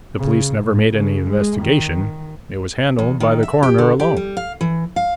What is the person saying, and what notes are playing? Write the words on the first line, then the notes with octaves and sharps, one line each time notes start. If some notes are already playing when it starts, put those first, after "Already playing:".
The police never made any investigation; it was handled by the coroner alone.
C#3
A2
C#3
G#3
D#3
E2
D#3
E5
G4
D3
G4
G3
F5
E3
F5